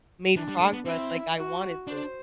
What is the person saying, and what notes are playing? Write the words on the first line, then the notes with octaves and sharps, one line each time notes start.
made progress like I wanted to."
E3 D4
G3
A3
B3
C4 E4
F#4
D4 C5